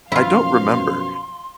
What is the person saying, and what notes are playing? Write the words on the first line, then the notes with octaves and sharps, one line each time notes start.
I don't remember.
F#2 B2 F3 E4 F4 F5 C6